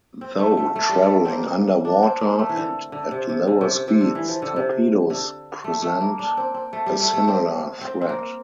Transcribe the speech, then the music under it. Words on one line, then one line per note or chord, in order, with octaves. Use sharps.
Though traveling under water and at lower speeds, torpedoes present a similar threat.
C4
A3
A3
A3
G3
A3
A#3 C4
D4
C4
A#3
A3
E3
D3
D3
C3
C3
D3
C3
C3
C3
D3
E3
F3
D3
C3
D3
A3
A3
A#3
D4
C4
C4
A3
G3
A3
A3
C4
C4
C4
A#3